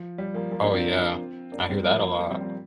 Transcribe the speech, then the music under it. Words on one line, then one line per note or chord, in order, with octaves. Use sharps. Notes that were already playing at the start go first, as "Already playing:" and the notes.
Oh, yeah. I hear that a lot.
Already playing: F3
G3
F3 A#3
F3 A#3
A#3 D4
C4 F4
A#3 D4
G3 C4
F3 A#3
F3 A#3
G3 C4
C4 F4